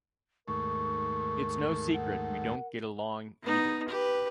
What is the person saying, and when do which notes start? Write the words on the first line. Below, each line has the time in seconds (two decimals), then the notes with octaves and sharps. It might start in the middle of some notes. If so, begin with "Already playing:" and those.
It's no secret we don't get along either.
0.48 D#2 G#2 A3 A#4 C#6
1.93 F#5
3.42 B3 D#4
3.88 G4 B4